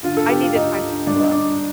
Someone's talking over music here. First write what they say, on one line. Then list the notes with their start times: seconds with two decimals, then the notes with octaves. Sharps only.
I needed time to cool off.
0.03 D3 F4
0.17 A4
0.29 D3 G4
0.43 F4
0.55 D2 D#4
0.82 D3
1.07 G2 D4
1.19 D#4
1.31 D3 D4